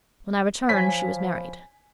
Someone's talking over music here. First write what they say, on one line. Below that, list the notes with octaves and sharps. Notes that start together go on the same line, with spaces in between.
When I returned she was married.
F3 C5 C#5 G#5 B5 B6